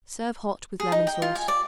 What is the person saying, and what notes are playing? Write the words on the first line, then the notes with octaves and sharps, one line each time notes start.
Serve hot with lemon sauce.
G#4
D#4
G5
F4
G#5
D5